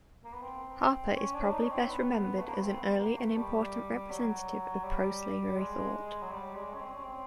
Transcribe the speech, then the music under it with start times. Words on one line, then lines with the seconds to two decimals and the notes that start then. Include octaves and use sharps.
Harper is probably best remembered as an early and important representative of pro-slavery thought.
0.24 A#3
0.33 B3
0.42 C4
1.16 C#4
1.35 D4
1.53 D#4
1.63 C#4
1.71 C4
1.90 B3
2.38 A3
2.47 A#3
2.55 B3
2.63 C4
2.81 B3
3.00 A#3
3.18 A3
3.36 G3
4.10 F#3
4.84 G3
5.57 G#3
6.22 F#3
6.31 G3
6.55 G#3
6.73 C#4
6.80 C4
6.94 C#4
7.04 C4